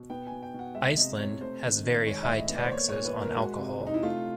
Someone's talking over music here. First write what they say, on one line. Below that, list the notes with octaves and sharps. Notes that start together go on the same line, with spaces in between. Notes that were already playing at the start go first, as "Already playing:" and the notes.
Iceland has very high taxes on alcohol.
Already playing: B2
B3 G5
G#5
B2
G5
B2 F#5
G#3 E5
C3 D#5
C3 C#5
A3 C5
D#3
D#3
G#3 C#5
E5
A2
D#5
B3
D5
C5
A#3 C#5
A#2 C#5
B4
A#2
A#4
G#3 F#4
C3
C3
D#4
E4
A3 F4